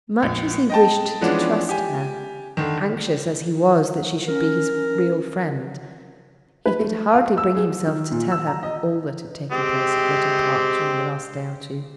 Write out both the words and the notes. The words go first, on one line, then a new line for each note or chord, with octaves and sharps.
Much as he wished to trust her, anxious as he was that she should be his real friend he could hardly bring himself to tell her all that had taken place at Rudham Park during the last day or two.
A#1
D#5 G5 A5
E3 F3 G#3 B3 C#4 D4
G4 G#5
D3 D#3
C#4 A#4
B4
A3
F5
E6
G#4
D#3
A#2
E6
A#5
D#5
G#3 C4 G4